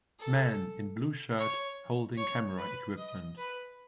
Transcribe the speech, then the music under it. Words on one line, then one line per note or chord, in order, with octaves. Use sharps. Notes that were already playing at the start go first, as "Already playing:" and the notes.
Man in blue shirt holding camera equipment.
A4
C#5
C#5
B4
D#5
B4